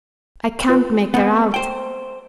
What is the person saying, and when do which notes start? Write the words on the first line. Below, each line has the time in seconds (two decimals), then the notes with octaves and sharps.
I can't make her out.
0.69 F4 B4
1.14 B3 C4 F#5
1.54 C5 G5